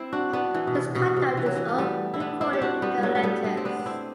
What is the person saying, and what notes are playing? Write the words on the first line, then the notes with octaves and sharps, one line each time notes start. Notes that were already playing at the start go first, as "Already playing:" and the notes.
This conduct is all recorded in her letters.
Already playing: C4 E4
D4 F#4
B3 D4
E3
B2
C3
B2
C3
E3
F#3
E3
A3
G3 B3
E4
B3 D4
C4 E4
G4
D4 F#4
G3 B3
G3
F#3 A3
A3
G3 B3
B3 D4
C4
B3 D4
D4
C4 E4